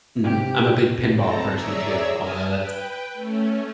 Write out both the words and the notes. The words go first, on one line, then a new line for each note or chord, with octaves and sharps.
Mhm, I'm a big pinball person too, although that's
C3 G4
G#2 C4 A4 A5 A#5 A#6
G#4 C#5 D5 E5 A#5 E6
E5 G#5 A5 D#6 F6
B4 G5
A3 C#4